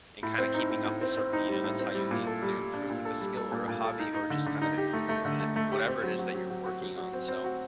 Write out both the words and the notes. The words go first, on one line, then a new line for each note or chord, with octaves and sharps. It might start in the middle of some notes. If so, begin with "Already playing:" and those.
and kinda keeping up with something, you know, that's how you either improve with a skill or a hobby or just kind of improving what it whatever it is that you're working on, so.
A2
C4
D#4
A2
A2
C4
C4
D#4
G3
A2
C4
G3
A#2
A4
G3
G3
D4
A#2
A4
G3
A4
A#2
A#2
A4
D#4
D#4
D3
D3
D#4
G4
A3
A3
D3
A3
A3
G4
C4
F#3
F#3
F#3
F#3
F#4
F#3
F#3
C4
C4
F#4